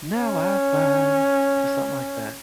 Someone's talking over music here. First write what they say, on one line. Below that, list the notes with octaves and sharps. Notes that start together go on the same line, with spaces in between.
now I find, or something like that.
C#4